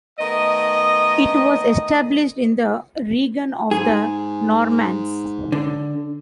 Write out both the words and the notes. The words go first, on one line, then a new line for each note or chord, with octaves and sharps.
It was established in the reign of the Normans.
D#3 A3 B3 D#5
G#2 G#4
D3